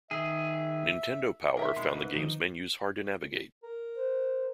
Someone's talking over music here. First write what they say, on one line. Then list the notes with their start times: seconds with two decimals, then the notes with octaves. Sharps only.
"Nintendo Power" found the game's menus hard to navigate.
0.11 D#3 G#4 E5
1.57 D#3 A#4 E5
1.76 B2 G#3 C6
1.95 G#2 B3
2.15 D3 D#3 F3 D#4
3.63 A#4
3.96 C5